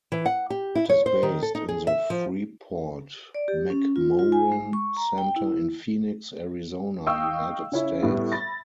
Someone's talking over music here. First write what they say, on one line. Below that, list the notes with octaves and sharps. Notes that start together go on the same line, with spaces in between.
It is based in the Freeport-McMoRan Center, in Phoenix, Arizona, United States.
E3
F#5
G4
E4
C#5
C5
D#3
A4
D#4
G#4
E5
F3
D5
G4
C#4
F4
F4
G#5
G#3
C#6
A#5
G5
E4
D#5 F5 G5 C#6 D#6 E6
C#3 C#4 E4
A2 G3 B3
B5 A6 A#6